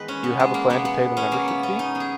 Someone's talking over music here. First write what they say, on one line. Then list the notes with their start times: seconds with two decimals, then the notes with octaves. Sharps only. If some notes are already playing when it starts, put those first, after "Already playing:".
Do you have a plan to pay the membership fee?
Already playing: E2 D#3 G#3 B4 D#5
0.08 C#4
0.24 B3
0.40 G#3
0.54 A#3
0.70 B2 G#3 B3
0.85 B3
1.17 C#4
1.32 A#3
1.48 B3
1.63 C#4
1.79 D#4
1.95 B2 F#3
2.00 G#4